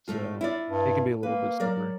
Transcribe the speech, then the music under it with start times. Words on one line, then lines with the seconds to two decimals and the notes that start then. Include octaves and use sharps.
So, it can be a little bit slippery.
0.08 A2 A3 F4
0.41 E4 F4 D5
0.70 G2
1.23 A#3 B4
1.60 F#3 A#4 D5